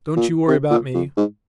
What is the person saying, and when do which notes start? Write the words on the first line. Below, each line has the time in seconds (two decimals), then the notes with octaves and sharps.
Don't you worry about me.
0.17 A#2
0.48 C3
0.71 A#2
0.94 F2
1.17 G#2